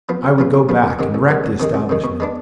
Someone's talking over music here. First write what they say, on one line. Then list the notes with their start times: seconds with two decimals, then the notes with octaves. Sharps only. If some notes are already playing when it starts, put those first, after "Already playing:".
I would go back and wreck the establishment.
0.09 F3 B3 F4
0.24 C3
0.39 F3 B3 F4
0.54 C3
0.69 F3 B3 F4
0.84 C2
0.99 C3 D#3 G#3
1.14 C2
1.29 C3 D#3 G#3
1.44 C2
1.60 C3 D#3 G#3
1.74 C2
1.89 C3 D#3 G#3
2.04 B2
2.20 G#3 B3 D4